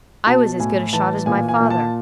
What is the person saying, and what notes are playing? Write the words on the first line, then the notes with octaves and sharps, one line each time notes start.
"I was as good a shot as my father."
B2 A5
A2 G#5
E3 A5
A#2 G#5
G#5
A#2
A5